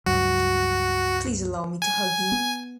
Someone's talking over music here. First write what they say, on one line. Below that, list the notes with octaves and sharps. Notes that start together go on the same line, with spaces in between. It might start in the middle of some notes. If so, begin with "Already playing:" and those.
Please allow me to hug you.
C#2 G2 F#3 F#4
G#5
B3